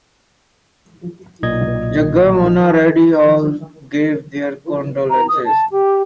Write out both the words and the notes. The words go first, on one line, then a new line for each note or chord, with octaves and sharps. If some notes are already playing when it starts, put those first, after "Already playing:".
Jaganmohan Reddy all gave their condolences.
B1 A#2 D#5 G#6
A#5
D#6
A5
G4